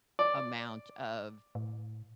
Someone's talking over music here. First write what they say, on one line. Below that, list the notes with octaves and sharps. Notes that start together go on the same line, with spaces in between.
amount of
D5
A2